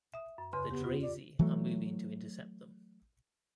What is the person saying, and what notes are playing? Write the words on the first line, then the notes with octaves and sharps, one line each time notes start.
The Drazi are moving to intercept them.
E5 D#6
F#2
E2 C#3 B4 C6
B3 G4
F4
D5
E3 F#3 A3